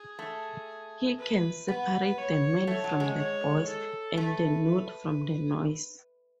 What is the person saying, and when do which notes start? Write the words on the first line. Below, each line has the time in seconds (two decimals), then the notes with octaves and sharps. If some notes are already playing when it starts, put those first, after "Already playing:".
He can separate the men from the boys and the note from the noise.
Already playing: G#4
0.19 A3
1.18 B4
1.68 B3 B4
2.18 C#5
2.67 A3 C#5
2.84 F#3
3.00 G#3
3.17 C#5
3.67 A4
4.16 A3 B4
4.67 B4